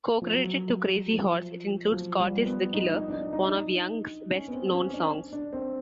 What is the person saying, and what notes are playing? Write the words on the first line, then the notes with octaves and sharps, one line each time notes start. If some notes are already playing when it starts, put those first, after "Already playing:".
Co-credited to Crazy Horse, it includes "Cortez the Killer," one of Young's best-known songs.
F3
F#3
F3
F#3
F3
G3
B3
D#4
D#4
D4
D#4
D#4
D4
D#4
C#4
B3
C4
C#4
D4
D4
C4